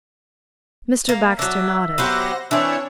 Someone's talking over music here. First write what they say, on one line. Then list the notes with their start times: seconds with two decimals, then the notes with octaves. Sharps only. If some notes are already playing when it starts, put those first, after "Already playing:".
Mr. Baxter nodded.
1.09 A#3 A#4
1.39 F#3 D4 E5
1.98 F#3 B3 G4 C5 F#5 A#6
2.51 E3 C4 D4 C#5 E5